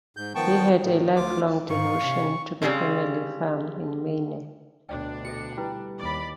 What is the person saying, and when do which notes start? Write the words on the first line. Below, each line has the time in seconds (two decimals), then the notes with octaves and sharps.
He had a lifelong devotion to the family farm in Maine.
0.17 G#2 G6
0.35 D#3 F3 B3 G5 A5 C#6
0.83 A2 D#3
1.16 D2 F4 D6
1.70 G#2 D#3 F5 C#6
2.02 C3 C#4
2.62 C#3 E3 G3 G#3 C4
4.89 D2 B2 D4 C#5 D5 G5
5.25 F#4 A4 E5 C#7
5.58 G3 E4 B4
6.00 D#2 D5 B5